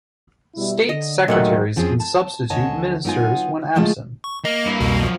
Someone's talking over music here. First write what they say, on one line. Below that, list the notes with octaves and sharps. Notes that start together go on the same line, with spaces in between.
State secretaries can substitute ministers when absent.
B2 G3 E4
D3 D#5
A#1 D#2 A#2 D#3 F#3 A3 F#5
F2 F3 C4 C#4 G#4
A5
D2 D3 C#5 D#5 G#5 A5
F#3 B3 D#4 F4 G#5
D3 F3 G#3 A3 F4 G#4
C#6
A#3 D#5
G2 E4
C2 F2 B2
F#2 F3